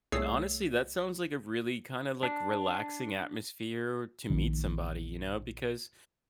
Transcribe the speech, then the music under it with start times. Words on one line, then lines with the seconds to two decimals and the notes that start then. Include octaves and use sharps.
and honestly, that sounds like a really, kinda, like, relaxing atmosphere to meet somebody, you know? Because
0.12 C2 A3 G#4 C#5 E6 C7
2.23 D4
4.30 A#1 A#2 D#3